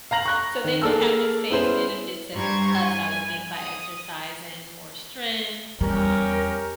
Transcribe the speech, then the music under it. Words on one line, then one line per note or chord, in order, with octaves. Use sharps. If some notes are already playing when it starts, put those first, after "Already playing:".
so they will have the same benefits as us, I would think, by exercising, more strength, um
F5 A#5 A#6 F#7
C#6 F#6 A#6
D#3
A#3 G#4 A4 E6 F6
B3 C#4 E4 G#4 B4 C5
G2 G3 C5 A#5 C#6 G#6
E3 G#5
D#6
E2 G3 C#4 G4 A#4